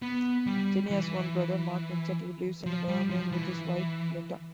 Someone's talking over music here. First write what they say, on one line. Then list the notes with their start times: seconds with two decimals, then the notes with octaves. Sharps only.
Cheney has one brother, Mark Vincent, who lives in Wyoming with his wife, Linda.
0.02 B3
0.46 G3
0.90 E3
2.66 F3
2.88 G3
3.10 F3
3.32 E3